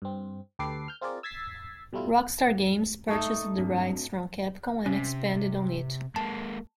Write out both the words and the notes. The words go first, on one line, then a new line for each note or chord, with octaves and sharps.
Rockstar Games purchased the rights from Capcom and expanded on it.
G2 C4
D2 G4 A4 B4 D6 C7
F6 G6
C4 F4 G#4 A#4 D5
E6 G#6 A6 B6 C7
B2 G3 A3 E4 F4
A3 D#4 A4 C#6 D#6
G2 F#3 C4 D4 F#4
C3 C#4
G#3 A#3 A5